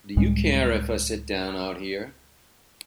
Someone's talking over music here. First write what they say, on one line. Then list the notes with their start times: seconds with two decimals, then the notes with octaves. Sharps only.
Do you care if I sit down out here?
0.17 C#2 A2 G3 G#3